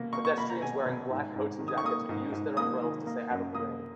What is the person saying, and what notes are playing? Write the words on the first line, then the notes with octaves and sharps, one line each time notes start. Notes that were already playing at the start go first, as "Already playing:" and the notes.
Pedestrians wearing black coats and jackets, use their umbrellas to stay out of the rain.
Already playing: B2 A#3
A#3 C#6
C#6
A#3 B5
A#5
B2 G#5
B2
G#2
G#2
D#3
D#6
C#6
A#3 D#6
G#2
G#2
A#3 D#6
D#3
A#3
F#2
A#3 D#6